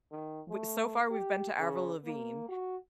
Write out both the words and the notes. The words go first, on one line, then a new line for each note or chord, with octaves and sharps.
w so far we've been to Avril Lavigne,
D#3
A3
G4
C#3
A#3
F#4